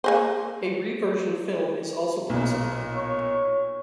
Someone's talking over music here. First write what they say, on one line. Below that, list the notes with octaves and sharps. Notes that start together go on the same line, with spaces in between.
A re-versioned film is also possible.
A#3 G#4 C5
B1 A#2
C#5